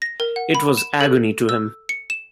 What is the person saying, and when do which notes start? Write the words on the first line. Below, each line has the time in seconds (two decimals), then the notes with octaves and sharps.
It was agony to him.
0.02 A#6
0.20 A#4
0.36 F#5
0.55 B5
0.77 E7
1.01 A4
1.49 E6
1.89 C#7
2.10 E7